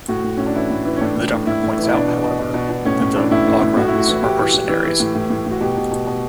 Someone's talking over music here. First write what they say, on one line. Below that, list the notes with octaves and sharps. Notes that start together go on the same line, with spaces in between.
The Doctor points out, however, that the Ogrons are mercenaries.
A2 F#4
A2
A2 C#4
D4
E3 E4
A2
E3
C#4
A2 D4
A2
A2
A2 E4
A2
E3
E4
B2 D4
B2
B2
B2
B2
B2
A2 C#4
A2 C#4
E3 D4
A2 E4
A2
A2
A2 F#4
A2 E4
F#4
E3
A2 G4
E3
E3
E3
E3
A2
A2
A2
A2
F#4
B2 G4
B2
B2
B2